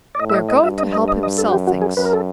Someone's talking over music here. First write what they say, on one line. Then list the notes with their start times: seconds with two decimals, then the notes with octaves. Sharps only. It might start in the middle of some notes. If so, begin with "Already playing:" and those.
"We're going to help him sell things."
0.15 D5
0.19 A2 D#5
0.30 E5
0.34 D#5
0.48 D#5
0.63 G2 E5
0.78 D#5
0.92 D#5
1.08 D#5
1.23 D#5
1.38 A4
1.48 F#4
1.52 F#2 G4
1.67 F#4
1.81 G#4
1.97 F#2 B4
2.05 A#4
2.13 A4